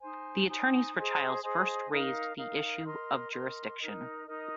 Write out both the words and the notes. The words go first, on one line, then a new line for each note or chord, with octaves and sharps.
The attorneys for Chiles first raised the issue of jurisdiction.
D#4 C5 G#5
D#4 C5 G#5
G#4 C5 D#5 G#5
G#4 C5 D#5 G#5
D#4 A#4 F5
D#4 A#4 F5
A#4 D#5 C6
A#4 D#5 C6
D#4 A#4 D#5
D#4 A#4 D#5